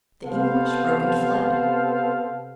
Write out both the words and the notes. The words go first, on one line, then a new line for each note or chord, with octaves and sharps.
The English broke and fled.
C3 B3 A4 C5 F5